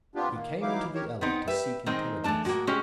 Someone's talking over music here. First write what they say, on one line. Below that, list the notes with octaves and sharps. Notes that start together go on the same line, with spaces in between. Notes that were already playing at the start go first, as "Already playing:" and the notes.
He came into the alley to seek intelligence.
C3 B3 D4 F4 G4
D#3 A#3
E3 F#3 D#4 E4 F5 D6
G4 A#4 C#5
B3 C4 D#4
G4 B4 E5
D#3 G#3 C4 D#4
E3 G#3 A3 D4 A5
A2 G#3 A#3 F#4
G#3 C#4 G4